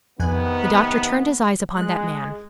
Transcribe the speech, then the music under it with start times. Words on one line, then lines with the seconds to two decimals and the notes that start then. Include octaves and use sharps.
The Doctor turned his eyes upon that man.
0.20 F2 C3 D#3 B3 G#5 F#6
1.77 G#3 F#6